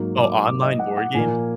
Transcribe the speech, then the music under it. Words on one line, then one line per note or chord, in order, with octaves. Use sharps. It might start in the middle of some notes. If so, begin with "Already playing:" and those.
Oh, online board games?
Already playing: G#2 F#3 A#3
D6
D6
D#5
F#5
F#5
A#2 F3 A#3 G#5